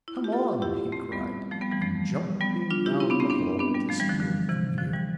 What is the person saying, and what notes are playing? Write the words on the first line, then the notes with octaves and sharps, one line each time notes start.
"Come on!" he cried, and jumping down the hole, disappeared from view.
E4
F4
G4
F4 A4
E4 G4
A3 C4
G3 B3
F3 A3
G3 B3
E3 G3
F3 A3
G3 B3
D4 F4
E4 G4
C4 E4
B3 D4
A3 C4
B3 D4
B3 D4
G3 B3
F3 A3
E3 G3
D3 F3
D3
C3 E3
D3 F3
E3 G3